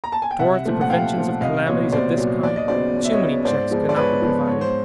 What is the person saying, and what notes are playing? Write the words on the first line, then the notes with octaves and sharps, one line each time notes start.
Towards the preventions of calamities of this kind, too many checks cannot be provided.
A#5
A5
G#5
G5
C2 E5 F#5
A#2 F3 A3
F#5
C2 F5 G5
A#2 F3 A3
C2 D#5 F5
A#2 F#3 B3 C#5 D#5
C2 C5 D5
A#2 F#3 B3
D#2 D5
D#5
C#3 F#3 B3 C5 D5
D#2
E5
C#5 D#5
C#3 F#3 B3
G#2 C5 D5
F3 G#3 B3
D5
G#2 B4 C#5
F3 G#3 B3
G#2 C#5
C5